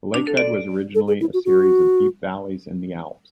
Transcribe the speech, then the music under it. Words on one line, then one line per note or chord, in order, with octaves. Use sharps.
The lake bed was originally a series of deep valleys in the Alps.
A4
G#4
E4
F#4
F#4